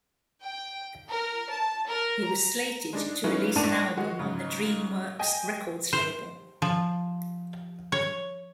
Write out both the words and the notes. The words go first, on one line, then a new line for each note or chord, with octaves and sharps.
He was slated to release an album on the DreamWorks Records label.
G5
A#4
A5
A#4
A#5
G#3 D4 D#4
E3 A3 B3 C#4 D#4 F4
A#1 A2 D4 A5 D#7 F7
G#3 F#4
G#2 C#3
D#5 G5 G#5
C5
F3
C#5